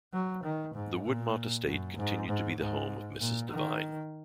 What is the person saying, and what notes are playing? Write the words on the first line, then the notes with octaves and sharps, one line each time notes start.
The Woodmont estate continued to be the home of Mrs. Divine.
F#3
D#3
G#2
A#2
F#2
G#2
G#2
G#2
A#2
D#3